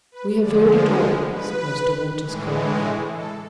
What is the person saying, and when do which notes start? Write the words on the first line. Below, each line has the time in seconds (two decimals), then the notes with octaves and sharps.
"We have heard it all," said Mr. Waters, calmly.
0.12 B4
0.41 D3 F3 G#3 D5
0.72 C5
1.02 B4
1.32 B4
2.23 A2 E3 G#3
3.13 A4